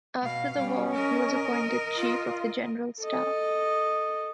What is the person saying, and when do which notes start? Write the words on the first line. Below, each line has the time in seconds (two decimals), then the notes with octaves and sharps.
After the war he was appointed Chief of the General Staff.
0.22 B2 F5
0.58 G3 C#4
0.95 A#4 D#5
1.96 F4
3.00 A4 D#5